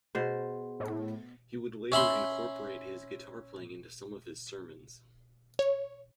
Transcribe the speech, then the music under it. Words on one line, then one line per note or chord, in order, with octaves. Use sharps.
He would later incorporate his guitar playing into some of his sermons.
B2 G#4 C5
A2
C#4 E5 B5 C6
C#5